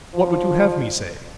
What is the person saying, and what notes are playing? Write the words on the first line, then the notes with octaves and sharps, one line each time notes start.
What would you have me say?'
F3